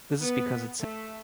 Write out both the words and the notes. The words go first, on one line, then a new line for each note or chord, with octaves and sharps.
This is because it symbolizes good luck and prosperity.
B3
A3